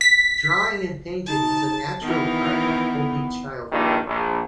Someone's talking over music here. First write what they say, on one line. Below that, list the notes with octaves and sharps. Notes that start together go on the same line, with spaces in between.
Drawing and painting was a natural part of Hopi childhood.
B6
D#4 A5
D#3 E3 B3
A#1 G2 A#2 D#3
A#1